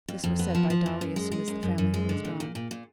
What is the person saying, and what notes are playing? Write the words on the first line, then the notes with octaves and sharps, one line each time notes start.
This was said by Dolly as soon as the family had withdrawn.
F2
F2
B3
F3
F3
F2
F#2
G#3
G#3
F#2
F#2
F#2
G#3
D3
A#2
A#2
A#2
A#2